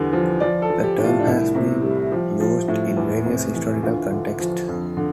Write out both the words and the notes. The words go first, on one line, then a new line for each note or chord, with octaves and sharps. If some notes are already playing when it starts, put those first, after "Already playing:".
The term has been used in various historical contexts.
Already playing: E2 D3 G3
F3
F3 D5
A4
F3
G4
A2
F4
D4
C2 E4
C3
G3
F3 G4
F3
A2
E2
C3
E3
D2 F4
D3
F3
F2
D3